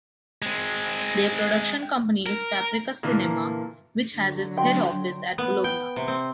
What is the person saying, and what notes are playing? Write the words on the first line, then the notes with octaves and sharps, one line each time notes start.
Their production company is Fabrica Cinema, which has its head office at Bologna.
G#3 C4
A#4
A#2 D3 E3 A#3
D3 F#3
G5 C6
B3
G5
C3
C4